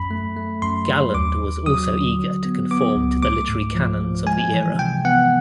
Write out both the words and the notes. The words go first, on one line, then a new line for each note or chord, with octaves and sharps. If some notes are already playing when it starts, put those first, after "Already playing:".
Galland was also eager to conform to the literary canons of the era.
Already playing: F#2 B5
A3
A3
F#2 C6
F#3
D#2 D6
D#2
F#3 D#6
D3
F#3
B3
B3 D6
C#2
A3 D6
G#2
F3
F3
G#3 G#5
E3
C3 G5
B3 F#5